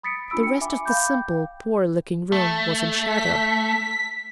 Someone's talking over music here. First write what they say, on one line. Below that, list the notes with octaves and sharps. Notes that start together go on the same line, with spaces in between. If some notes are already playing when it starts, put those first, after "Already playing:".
The rest of the simple, poor-looking room was in shadow.
B5 D#6 A6 B6 C#7 D7
D4 F4 B5 E6 D7
G5 C#7
E5 G#5 B5 D6
F5 G5 B5 D6 G6
G5
A3
B6